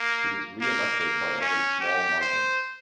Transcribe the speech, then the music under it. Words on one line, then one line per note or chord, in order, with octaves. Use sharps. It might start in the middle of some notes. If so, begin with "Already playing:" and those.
He was re-elected by only small margins.
Already playing: A#3
A#3
A#3
C#4
G4
C5